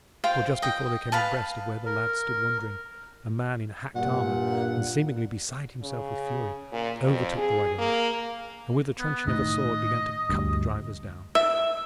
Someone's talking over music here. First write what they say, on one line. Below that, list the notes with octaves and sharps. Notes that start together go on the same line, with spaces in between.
For just before they came abreast of where the lads stood wondering, a man in hacked armour, and seemingly beside himself with fury, overtook the waggons, and with the truncheon of a sword, began to cut the drivers down.
F4 C5 F5 G5
D#5 G5
B4 F5 A5
A#4
G2 A#2 F#5
C#3
A#2
F2
G#4
A#3
B3
A2 D#3 D#5
D2 G2
E5